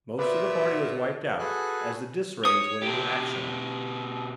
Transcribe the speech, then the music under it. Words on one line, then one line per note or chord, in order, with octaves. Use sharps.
Most of the party was wiped out as the dis rays went into action on them.
A#2 F#3 B3 F#4 B4 C5 D5 E5
F#4 G#4 A4 B4 G#5 F#6
C#5 D#6
B2 G4